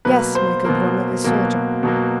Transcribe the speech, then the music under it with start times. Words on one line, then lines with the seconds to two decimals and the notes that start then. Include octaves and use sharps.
"Yes, my good woman, a soldier."
0.05 B2 F#3 A#3 B4
0.35 C5
0.65 B2 F#3 A#3
1.24 B2 F#3 A#3
1.83 B2 F#3 A#3